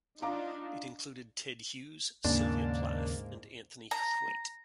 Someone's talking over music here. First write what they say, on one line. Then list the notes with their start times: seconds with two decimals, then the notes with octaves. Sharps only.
It included Ted Hughes, Sylvia Plath, and Anthony Thwaite.
0.22 D4 D#4 F4 F5 A#5 D6
2.24 D#2 G#2 C#3 A#3 D4
3.91 A#5